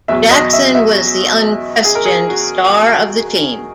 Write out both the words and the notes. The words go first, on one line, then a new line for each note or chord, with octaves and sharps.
Jackson was the unquestioned star of the team.
E2 B2 F#3 E5
D#5
E5
E5
G#4
A#4
G#4
F#4